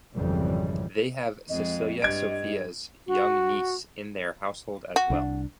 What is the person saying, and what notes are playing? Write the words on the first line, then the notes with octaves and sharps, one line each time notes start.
They have Cecelia, Sophia's young niece in their household as well.
G#1 F2 C#3 E3 G3
F2 G#3 D#5
G2 D#5 G#6 D7
F#4
F#4
C2 F3 D4